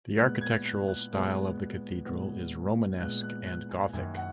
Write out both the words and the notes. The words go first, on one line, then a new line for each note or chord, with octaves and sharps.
The architectural style of the cathedral is Romanesque and Gothic.
A#2 G#3 B3 F#6
G#6
F#6
F#6
A#2 G#3 B3
A#2 G#3 B3
A#2 G#3 B3 F#6
F#6
F#6
G#5
F#2 D#3 A#3 G#5
F#5